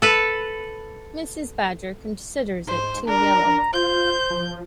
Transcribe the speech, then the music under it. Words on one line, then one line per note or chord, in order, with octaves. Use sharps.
Mrs. Badger considers it too yellow.
A4 B4
G#2 C5
D4 A#4 A#5
F4 C5 G6
F3